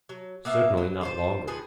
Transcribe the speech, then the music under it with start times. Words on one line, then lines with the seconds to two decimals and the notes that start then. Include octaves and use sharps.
"Certainly not longer."
0.09 F#3
0.45 A#3 B3 E5 F5
0.78 F#3
1.01 F4 F#4 C5
1.47 D#3 F3 G#4 B4